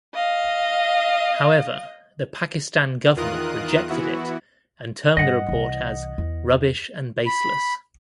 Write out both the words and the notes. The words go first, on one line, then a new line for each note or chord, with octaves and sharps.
However the Pakistan government rejected it and termed the report as "rubbish and baseless".
D#5 F5
E2 D#3 F4 A#4 D#6 F#6
E3 B3 E4 F#4
G2 D#5 F#5
C2 E3
E2
B5